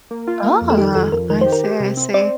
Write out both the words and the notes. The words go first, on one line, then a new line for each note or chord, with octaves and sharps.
Oh, I see, I see.
A#3
F4
A#3
F2
A4
D#3 G4
F2 A4
F2 A#4
D#3 A#4
G4 C5
A#4
G4
C3
C4
C4 D5